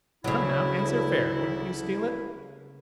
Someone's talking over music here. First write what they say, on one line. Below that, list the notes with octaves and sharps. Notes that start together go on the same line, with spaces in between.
Come, now, answer fair--wouldn't you steal it?
D2 C#3 F#3 E4